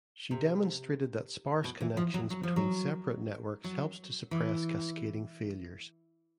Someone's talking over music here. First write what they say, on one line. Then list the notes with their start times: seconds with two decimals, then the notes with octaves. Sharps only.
She demonstrated that sparse connections between separate networks helps to suppress cascading failures.
0.31 C3
1.64 B2
1.81 E3
1.97 F3
2.14 F#3
2.30 F#3
2.43 F3
2.56 F#3
3.64 F#3
4.31 E3